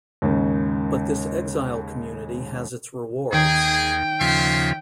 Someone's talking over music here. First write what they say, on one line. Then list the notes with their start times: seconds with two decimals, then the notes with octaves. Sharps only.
But this exile community has its rewards.
0.22 D#2 G#2 C#3
3.33 D#2 D#3 G#4 C#5 G5
4.21 D#2 C#3 F3 F4 E5 C6